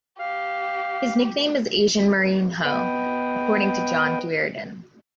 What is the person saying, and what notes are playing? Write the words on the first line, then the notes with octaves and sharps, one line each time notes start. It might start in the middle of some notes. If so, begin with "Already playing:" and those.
His nickname is 'Asian Mourinho' according to John Duerden.
G4 F5
B3 B4 D#5 G5